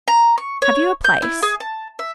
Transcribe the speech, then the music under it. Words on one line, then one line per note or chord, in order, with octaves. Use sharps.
"Have you a place?"
A#5
C#6
C#5
G6
E4
G#4
A5
E5